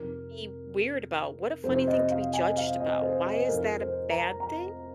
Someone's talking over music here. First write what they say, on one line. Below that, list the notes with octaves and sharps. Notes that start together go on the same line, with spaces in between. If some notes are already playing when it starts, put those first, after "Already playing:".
be weird about, what a funny thing to be judged about, why is that a bad thing?
Already playing: F2 C3 D#3 A#4
F2 C3 D#3 C5
D#5
F5
G#5
F5
D#5
C5
C5
F2 D#3 A#4
C5
A#5
A#5